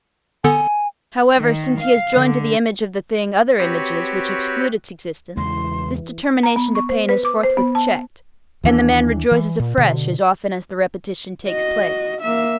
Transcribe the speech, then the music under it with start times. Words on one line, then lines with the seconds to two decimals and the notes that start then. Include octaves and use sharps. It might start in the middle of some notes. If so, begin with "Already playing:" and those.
However, since he has joined to the image of the thing other images, which exclude its existence, this determination to pain is forthwith checked, and the man rejoices afresh as often as the repetition takes place.
0.44 D3 B3 A4 G#5
1.37 D#3
1.79 F5
2.14 D3
3.58 C4 F#4 G4 B4 C#5
5.37 E2 C#3 E3 G#3 C6
6.43 A#5
6.56 B3
6.75 C#6
6.89 C5
7.09 B4
7.25 D6
7.43 C5
7.57 B3
7.75 A5
8.64 D#2 E3 G#3 D4
9.31 E3
9.60 A#2
9.77 B2 D3
11.48 F#4 D#5
12.22 A#3 E5